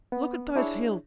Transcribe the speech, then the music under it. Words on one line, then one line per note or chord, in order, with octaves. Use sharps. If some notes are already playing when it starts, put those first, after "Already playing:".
Look at those hills!
B3
D4 E4 G#4 C#5